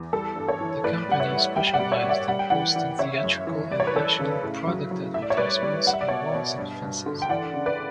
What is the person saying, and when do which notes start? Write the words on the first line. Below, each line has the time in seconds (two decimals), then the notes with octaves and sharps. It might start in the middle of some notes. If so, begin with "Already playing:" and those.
The company specialized in posting theatrical and national product advertisements on walls and fences.
Already playing: E2
0.13 G3 A4
0.36 G2
0.48 A4 C#5
0.61 E3
0.84 A2 B4 D5
1.09 G3 F#5
1.20 C#5 E5
1.32 G3
1.56 G3 E5 G5
1.67 G5
1.74 D5 F#5
1.79 G3
1.92 C#5 E5
2.04 G3
2.09 D5 F#5
2.28 G3 F#5
2.39 G5
2.50 E3 D5 F#5
2.76 E3
2.99 C#3 C#5 E5
3.24 F#2
3.47 E3
3.71 G3 D5
3.80 C#5
3.87 B4
3.95 E3 A4 C#5
4.19 C#3
4.43 A2
4.67 F#3
4.91 F#3
5.14 A2 E5
5.22 D5
5.30 C#5
5.37 G3 B4 D5
5.63 G3
5.87 G3 F#5
5.93 E5
6.01 D5
6.08 B2 C#5 E5
6.35 B2
6.58 G2
6.82 G2
7.06 D3
7.22 G5
7.29 E3 D5 F#5
7.54 C#3
7.66 B4 D5